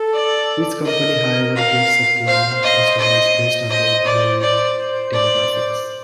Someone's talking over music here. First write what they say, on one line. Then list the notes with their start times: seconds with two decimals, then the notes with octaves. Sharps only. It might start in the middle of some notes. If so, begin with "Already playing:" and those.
Each company however gets the plan customized based on the employee demographics.
Already playing: A4
0.13 D5
0.85 A#4 D#5
1.56 F5
2.27 C5 F5
2.63 D#5
2.99 D#5
3.70 C5 D#5
4.06 D5
4.41 D5
5.13 D5